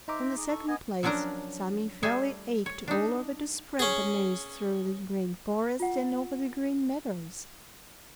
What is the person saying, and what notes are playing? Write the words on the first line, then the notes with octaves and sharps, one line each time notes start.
In the second place, Sammy fairly ached all over to spread the news through the Green Forest and over the Green Meadows.
D#4 C5 E5 A#5 D6
G#4
A4 C#6
B3 D#5 G#5
F3 F#3 C#4 D4 A#4 A#5
G3 A3 G#4 E5 G#5
C#5
D4 D#4
C#4 G#4
F4 F#5